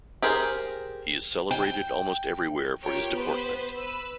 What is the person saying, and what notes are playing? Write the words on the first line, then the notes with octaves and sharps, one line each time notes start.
He is celebrated almost everywhere for his deportment.
G4 G#4 A#4 C5
G5
F4 G4 A#4 C#5 G5
B3 B4 C5
B4 E6